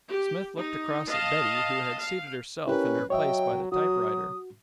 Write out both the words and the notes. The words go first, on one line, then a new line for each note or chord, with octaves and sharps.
Smith looked across at Betty, who had seated herself in her place by the typewriter.
G4
D#4
D#5 F5 A5
F5
C#4 E4 G4 A#4 B4
F#3 C#5 D#5 E5 G5
F#3 F#4 D#6